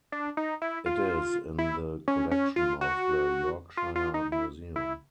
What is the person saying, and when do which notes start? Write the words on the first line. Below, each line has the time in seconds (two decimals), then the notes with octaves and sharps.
It is in the collection of the Yorkshire Museum.
0.12 D4
0.37 D#4
0.62 E4
0.86 F4
1.59 E4
2.08 C#4
2.31 C#4
2.56 F4
2.81 F#4
3.77 F4
3.96 F4
4.14 D#4
4.32 E4
4.76 E4